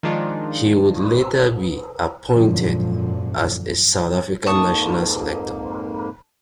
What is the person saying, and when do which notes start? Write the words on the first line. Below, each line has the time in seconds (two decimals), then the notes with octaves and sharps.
He would later be appointed as a South African National Selector.
0.03 D#3 F3 G#3 D4 D#4 F4
2.33 G#1 F#2 A#2 D3 F3
4.46 F2 G#2 A#3 A5 C#6 D#6